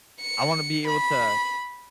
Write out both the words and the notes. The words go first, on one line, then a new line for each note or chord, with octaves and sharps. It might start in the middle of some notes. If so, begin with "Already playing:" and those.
I wanna be able to
C#7
B5